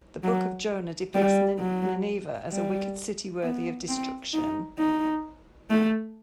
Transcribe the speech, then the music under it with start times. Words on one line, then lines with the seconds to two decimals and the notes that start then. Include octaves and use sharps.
The Book of Jonah depicts Nineveh as a wicked city worthy of destruction.
0.23 F#3
1.14 G3
1.59 F#3
2.52 G3
3.42 B3
3.88 C4
4.33 D#4
4.79 D#4
5.70 A3